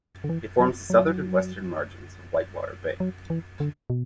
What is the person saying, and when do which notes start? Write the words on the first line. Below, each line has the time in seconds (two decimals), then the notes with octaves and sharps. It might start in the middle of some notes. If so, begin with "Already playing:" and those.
It forms the southern and western margins of Whitewater Bay.
0.24 D3
0.29 E3
0.60 F#3
0.90 F#3
3.00 F#3
3.30 E3
3.60 D3
3.90 B2